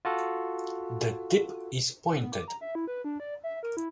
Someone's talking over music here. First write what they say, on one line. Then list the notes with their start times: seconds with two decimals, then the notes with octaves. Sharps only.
The tip is pointed.
0.05 F4 F#4 A4
2.20 B3
2.32 D6
2.48 A#5
2.61 E5
2.75 E4
2.88 B4
3.04 D4
3.20 D5
3.44 E5
3.63 A#4
3.77 E4